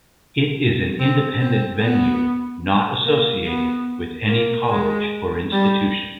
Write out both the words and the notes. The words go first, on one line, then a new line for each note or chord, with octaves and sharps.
It is an independent venue not associated with any college or institution.
C4
C4
B3
A#3
B3
A#3
G#3
G3